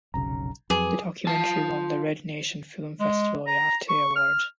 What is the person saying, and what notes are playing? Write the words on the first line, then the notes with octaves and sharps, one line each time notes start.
The documentary won the Red Nation Film Festival Oyate award.
F1 B1 C#3 A#5
F2 F#3 G#4 B4 D6
F4 A5
G#3
A#5
C#6
F6